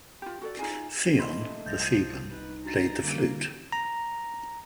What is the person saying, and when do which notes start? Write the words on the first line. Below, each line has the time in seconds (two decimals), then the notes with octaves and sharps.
Theon the Theban played the flute.
0.22 F4 G4
0.41 F#4 A4 D5
0.59 D#4 F4 G#4 G#5
1.19 A3 A#3 D#5 B5 C6 B6
1.66 C2 F3 G6 A6 A#6
2.31 D#4 B4
2.64 D4 F#4 A#5 A6
3.03 D3 G3 A#3
3.72 A#5